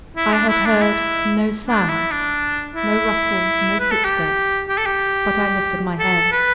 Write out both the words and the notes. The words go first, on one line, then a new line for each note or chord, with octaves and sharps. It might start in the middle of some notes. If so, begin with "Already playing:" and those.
I had heard no sound, no rustle, no footsteps--but I lifted my head.
E4
D4
E4
D4
E4
D4
E4
D4
E4
B4
A4
G4
G4
A4
G4
A4
B4